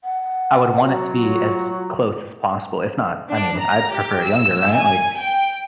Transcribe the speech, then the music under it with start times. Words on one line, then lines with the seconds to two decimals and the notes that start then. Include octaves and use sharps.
I would want it to be as close as possible, if not, I mean, I'd prefer it younger, right, like
0.04 F#5
0.86 F#3 F#4
1.12 F4
3.30 D4
3.60 A#5
3.93 G4
4.28 E6
4.77 G#5
5.21 G5